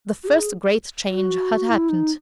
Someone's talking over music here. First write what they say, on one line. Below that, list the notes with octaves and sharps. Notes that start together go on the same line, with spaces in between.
The first great change had happened.
F#4
G#4
F#4
E4
D#4